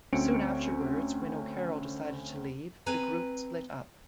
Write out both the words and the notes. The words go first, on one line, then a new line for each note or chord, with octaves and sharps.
Soon afterwards, when O'Carroll decided to leave, the group split up.
D2 C4 C#4 C#7 D7
C4 B4 G#5 A#5